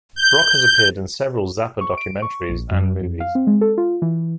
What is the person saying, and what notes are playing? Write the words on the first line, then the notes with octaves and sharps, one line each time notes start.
Brock has appeared in several Zappa documentaries and movies.
G6
C#6
D7
C#6
A#1
F#2
F2
F5
C4
G#3
A4
F4
E3